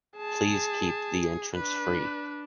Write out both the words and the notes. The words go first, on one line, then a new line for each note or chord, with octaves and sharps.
Please keep the entrance free.
G#4 A5
D4 B4